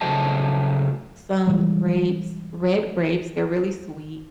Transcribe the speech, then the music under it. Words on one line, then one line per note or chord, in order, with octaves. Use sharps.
some grapes, red grapes, they're really sweet,
C#3 F#3 A3 C5 D#5 A5
B2 E3 G3 G#3